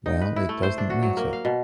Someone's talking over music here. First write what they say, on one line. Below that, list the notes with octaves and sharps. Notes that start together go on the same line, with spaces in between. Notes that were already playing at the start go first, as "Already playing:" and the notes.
Well, it doesn’t matter.
D#4
B4
E4
A3
C5
D4
F#4
F#3
A#3
F5
B2